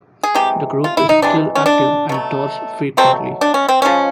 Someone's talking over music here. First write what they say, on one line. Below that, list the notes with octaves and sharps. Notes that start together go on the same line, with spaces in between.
The group is still active and tours frequently.
G#4
C3 E3 G#3 G4
F4
E4
D#4
C3 E3 G#3 D4
C#4
D4
B2 F#3 A3
B2 F#3 A3 C4
D4
C#4
C4
C#3 F3 G#3 C#4